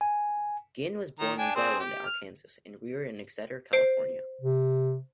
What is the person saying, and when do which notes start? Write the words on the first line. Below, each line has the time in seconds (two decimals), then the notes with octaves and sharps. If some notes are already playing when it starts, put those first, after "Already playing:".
Guinn was born in Garland, Arkansas and reared in Exeter, California.
0.01 G#5
1.19 D#3 A#5
1.38 D4 G5 G#5
1.56 C4 G#4 C5
1.80 G4
2.06 F6
3.73 C5 C7 D7
4.42 C3